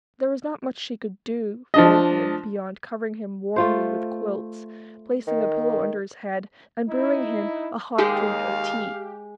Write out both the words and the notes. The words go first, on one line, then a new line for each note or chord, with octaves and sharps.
There was not much she could do for him beyond covering him warmly with quilts, placing a pillow under his head, and brewing him a hot drink of tea.
F3 D4 D#5
A3 F4 C5
D#3
D#4 E4
D#2 G#3 G4 G#4 F5